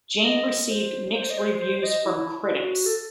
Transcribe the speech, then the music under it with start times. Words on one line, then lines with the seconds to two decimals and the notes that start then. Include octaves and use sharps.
Jane received mixed reviews from critics.
0.24 D#5
0.70 C5
1.14 C5
1.30 D#5
1.37 C5
1.60 C5
1.78 C5
1.83 D#5
2.05 E4
2.51 F#4
2.86 A4